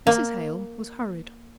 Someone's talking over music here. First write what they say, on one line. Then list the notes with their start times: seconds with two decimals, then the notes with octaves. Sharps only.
Mrs. Hale was hurried.
0.07 A#3